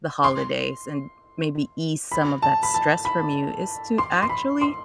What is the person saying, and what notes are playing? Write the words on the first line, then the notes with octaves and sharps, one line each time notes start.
the holidays and maybe ease some of that stress from you is to actually
C6
B5
A5
B5
A5
B5
C6
C6
B5
C6